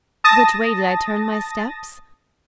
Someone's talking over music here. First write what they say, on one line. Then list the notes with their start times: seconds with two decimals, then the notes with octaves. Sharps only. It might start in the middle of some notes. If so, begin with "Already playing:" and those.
Which way did I turn my steps?
0.24 A5 D#6 A6 A#6